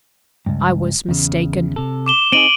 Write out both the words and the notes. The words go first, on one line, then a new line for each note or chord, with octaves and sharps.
I was mistaken.
C#2 G2
E2 C#3
C3 A4
D6 E7 G7
C4 D#4 G#4 D7 D#7 F#7